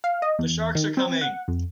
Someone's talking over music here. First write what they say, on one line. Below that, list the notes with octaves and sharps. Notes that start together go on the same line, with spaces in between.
The sharks are coming!
F5
D#5
E2
D#3
C4
F#5
F2